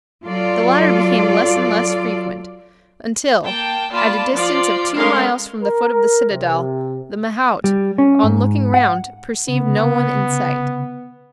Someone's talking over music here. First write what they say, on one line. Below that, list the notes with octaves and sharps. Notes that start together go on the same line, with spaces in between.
The latter became less and less frequent, until, at a distance of two miles from the foot of the citadel, the mahout, on looking round, perceived no one in sight.
F#3 F4 A4 D5
A#3 G5 A5
A#3 F4 D5 A5 B5
F3 F4 D5
G#3 A3 C#4 A#4 F5 C6
A#4
C3
G3
C#4
G#2
F#5
C#3 B3